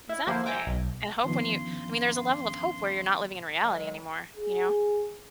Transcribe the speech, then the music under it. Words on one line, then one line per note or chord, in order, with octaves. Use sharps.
Exactly, and hope when you I mean, there's a level of hope where you're not living in reality anymore, you know?
E4
D3 F3 A#3 E4 C5
E5 G5 G#5 A#5 D6
B1
G2 D#3 F3 B3 C#4 C6
D3 F#3 G#3
G#4